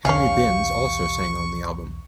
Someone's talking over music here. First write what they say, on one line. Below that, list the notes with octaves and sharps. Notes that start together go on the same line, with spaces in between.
Henry Binns also sang on the album.
B1 E2 C#4 G4 G#4 F5 C#6